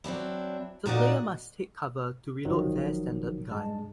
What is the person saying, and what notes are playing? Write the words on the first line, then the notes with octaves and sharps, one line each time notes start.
The player must take cover to reload their standard gun.
F#3 C4 D4 E4
A#2 D#4 F#4 D5 D#5 F#5
G1 D#3 F3 F#3
G2 G#3 A5